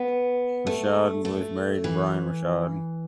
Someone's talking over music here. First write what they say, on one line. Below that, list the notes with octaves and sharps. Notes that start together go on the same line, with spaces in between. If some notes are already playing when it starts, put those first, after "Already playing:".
Rashad was married to Brian Rashad.
Already playing: B3
A3
A3
E3